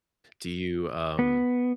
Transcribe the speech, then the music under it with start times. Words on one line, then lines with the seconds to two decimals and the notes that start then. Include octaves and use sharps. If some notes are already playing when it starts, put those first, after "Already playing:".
Do you, um,
1.19 B3